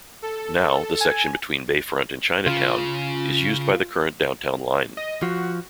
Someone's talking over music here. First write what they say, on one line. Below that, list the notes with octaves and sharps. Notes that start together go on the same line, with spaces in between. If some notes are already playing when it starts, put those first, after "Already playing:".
Now, the section between Bayfront and Chinatown is used by the current Downtown Line.
A4
G#5
C#3 F4
D#5
F3 F#4